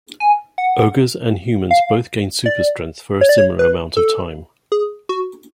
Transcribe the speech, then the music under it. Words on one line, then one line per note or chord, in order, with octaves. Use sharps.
Ogres and humans both gain super strength for a similar amount of time.
G#5
F#5
F5
D5
C#5
D5
C#5
B4
A4
G#4
F#4